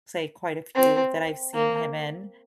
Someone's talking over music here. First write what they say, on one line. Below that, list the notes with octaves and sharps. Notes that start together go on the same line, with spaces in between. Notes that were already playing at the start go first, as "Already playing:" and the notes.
say quite a few that I've seen him in,
C4
A#3